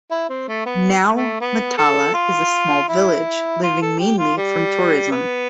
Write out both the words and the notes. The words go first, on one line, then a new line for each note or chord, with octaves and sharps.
Now Matala is a small village living mainly from tourism.
E4
C4
A3
B3
A3
B3
A4
F4
E4
F4
A4
G4
F4
G3
B3